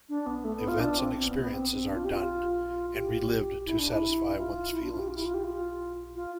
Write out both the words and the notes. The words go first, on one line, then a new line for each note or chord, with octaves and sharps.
Events and experiences are done and relived to satisfy one's feelings.
D4
B3
A3
B3
F4
D4
C4
C4
B3
B3
C4
C4
D4
F4
G4
F4
G4
E4
D4
E4
F4
E4
D4
F4
G4
F4
E4
F4
G4
F4
F4